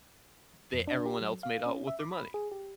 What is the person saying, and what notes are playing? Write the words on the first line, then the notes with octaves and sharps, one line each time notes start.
They everyone else made out with their money.
F2
D4
G4
F#3
F5
C#4
E5
D6
B5
G#4
G4